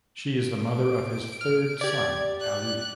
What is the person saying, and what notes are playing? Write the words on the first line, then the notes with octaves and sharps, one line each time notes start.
She is the mother of his third son, Ali.
D7
F6
G4 D5 G#6
F#6